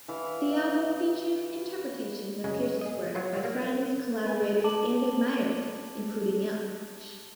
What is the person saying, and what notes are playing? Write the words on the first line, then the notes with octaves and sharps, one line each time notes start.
The album features interpretations of Pierce's work by friends, collaborators, and admirers, including Lunch.
E3 F5
F#2 C#3 G#3
G#4 D#5
F#3 F4 A#4
A#3 A#4
B4 G#5
A5 D6 F#7